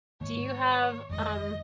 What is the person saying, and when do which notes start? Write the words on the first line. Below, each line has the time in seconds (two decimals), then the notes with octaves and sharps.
Do you have, um,
0.21 G#2 D#3 A#3 C#5
1.09 G1 F2 D#3 G#3 D#5